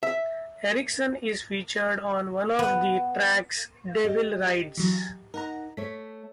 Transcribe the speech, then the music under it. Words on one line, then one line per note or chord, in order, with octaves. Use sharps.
Erickson is featured on one of the tracks, "Devil Rides".
E5
B3
G4 D#5
E3 F#3
D#4 A#4 F#5 A#5
A3 C#5 B6